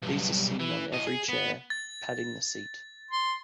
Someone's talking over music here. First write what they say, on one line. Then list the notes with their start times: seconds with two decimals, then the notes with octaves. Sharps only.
These are seen on every chair, padding the seat.
0.03 B1 G2
0.59 E3
0.92 A2 D#5
1.07 G#4
1.29 B3
1.70 A6
3.11 C6